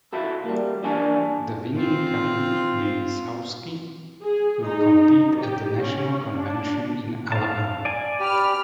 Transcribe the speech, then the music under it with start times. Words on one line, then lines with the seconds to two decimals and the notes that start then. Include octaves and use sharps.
The winning canoe, named Sauske, will compete at the national convention in Alabama.
0.13 E4 F#4 A4
0.45 G3 A#3
0.84 E2 A#3 D4 D5 G#5 A5
1.76 C4 F4
4.22 G#4
4.66 D#4
5.38 G4
5.79 C#4
6.34 D4
7.32 F5 A5
7.85 D5 G#5 A5
8.20 G4 B5 F6